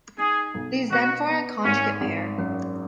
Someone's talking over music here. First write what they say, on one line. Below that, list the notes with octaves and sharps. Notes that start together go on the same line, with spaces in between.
These then form a conjugate pair.
D#4 G#4
B1
B2 F#4
B3
G#1 C#4
G#1
F#2